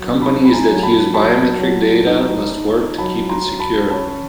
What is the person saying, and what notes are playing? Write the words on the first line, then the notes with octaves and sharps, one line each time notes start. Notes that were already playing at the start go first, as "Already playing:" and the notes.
Companies that use biometric data must work to keep it secure.
Already playing: F#3
D#4 A5 B5
B5
G#5 A#5
F#3
A5 B5
F#3 A5 B5
F#3
D#4
D#4
F#3 A5 B5
A#5 C6
F#3
A5 B5
C#4 A5 B5